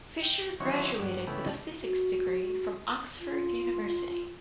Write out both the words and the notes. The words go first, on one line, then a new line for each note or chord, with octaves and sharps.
Fischer graduated with a physics degree from Oxford University.
G5
D#3 E3 F#3 C4 C#4 C#5
G2 F#3
C#3 E3 A3 B3 G4
F#4
F4